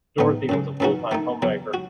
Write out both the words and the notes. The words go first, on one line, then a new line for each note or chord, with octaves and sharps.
Dorothy was a full-time homemaker.
A2 E3 B3 D#4
F#2 C#3 G#3
F#2 E3 A3 D#4 F#4
D#3 A3 D#4
E2 B2 F#3
F#4